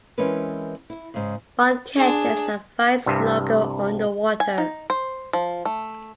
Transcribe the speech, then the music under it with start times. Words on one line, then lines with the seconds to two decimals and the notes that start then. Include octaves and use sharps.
Bond catches and fights Largo underwater.
0.18 E3 G#3 C4 C#4 A#4 B4
0.90 E4
1.14 G#2 C#3
1.98 D4 G#4
3.06 C2 G2 C3
4.40 G#5
4.58 D#4
4.90 C5
5.33 F3
5.65 A3